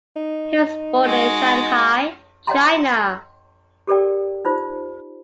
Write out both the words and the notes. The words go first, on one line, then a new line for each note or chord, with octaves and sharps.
He was born in Shanghai, China.
D#4
G#3 F#4
C#5 D#5 F#5 G5 A#5 C6
G4 A4 A#4 D5 G5
D#4 F4 C5